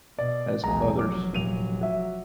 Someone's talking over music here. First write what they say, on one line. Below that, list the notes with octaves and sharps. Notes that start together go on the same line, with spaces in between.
as others,
B2 D5
E1 B1 G#3 A#5
F1 F#3 D6
D#1 D#7 F7
F#4 E5